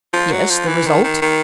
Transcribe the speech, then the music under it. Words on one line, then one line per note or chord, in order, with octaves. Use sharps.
"Yes, the result?"
F3
F#3
F3
E3
D#3
D#3
D#3